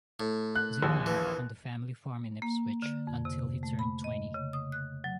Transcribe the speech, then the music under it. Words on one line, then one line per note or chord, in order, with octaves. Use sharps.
Dane worked on the family farm in Ipswich until he turned twenty.
A2
F#6
A#1 D#2
E3
A#3
D3
F2
C3
A3
B5
D#5
C#3
D#6
F#6
F#3